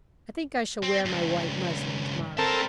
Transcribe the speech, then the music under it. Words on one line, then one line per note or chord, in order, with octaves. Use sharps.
I think I shall wear my white muslin tomorrow.
C4
C#2 G2
G3 C4 A4 A#4 A5